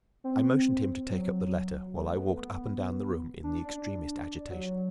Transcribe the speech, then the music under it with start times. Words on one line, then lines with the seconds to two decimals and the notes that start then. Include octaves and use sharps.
I motioned him to take up the letter, while I walked up and down the room in the extremest agitation.
0.24 C4
1.10 F#3
1.95 A3
2.16 B3
2.37 B3
3.43 D4
3.64 D4
4.50 F#3